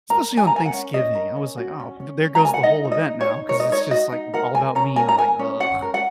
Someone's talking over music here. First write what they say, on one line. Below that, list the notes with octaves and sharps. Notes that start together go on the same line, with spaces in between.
Especially on Thanksgiving, I was like, "Oh, th there goes the whole event now," 'cause it's just, like, all about me and I'm like, "Ugh."
A#4 A#5
C#4
G#5
A#5
A#4 G#5
F#5
C#4
C#4 D#5
A#4
C#4
F#4
C#4
C#4
C#4
A#5
A#4 G#5
F#5
D#4 D#5
D#4
D#5
D#4
C#5
D#4
A#4 C#5
D#5
D#4 C#5
F#4 D#5
D#4
A#4 F#5
A#4 G#5
C#4 A#5
A#4 G#5
A#5
A#4 G#5
C#4
C#4 F#5
A#4
F#5